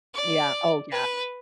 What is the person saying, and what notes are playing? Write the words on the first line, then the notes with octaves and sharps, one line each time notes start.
Yeah oh, yeah.
D5
B4